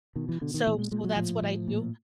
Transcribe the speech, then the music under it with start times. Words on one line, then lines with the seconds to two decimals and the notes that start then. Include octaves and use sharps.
so so that's what I do,
0.16 B2 D#3
0.29 E3
0.41 B2 D3
0.54 D#3
0.67 A#2 E3
0.79 G#3
0.91 A#2 G#3
1.04 F#3
1.16 A2 F3
1.42 A2
1.68 A#2